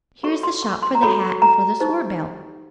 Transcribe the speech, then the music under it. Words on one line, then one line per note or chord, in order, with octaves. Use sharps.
"Here is the shop for the hat and for the sword-belt."
F#4 A4 C#5 C#6
C6
C#6
C6
A#5
F#4 A4 C#5 B5
A#5
D#4 G4 C5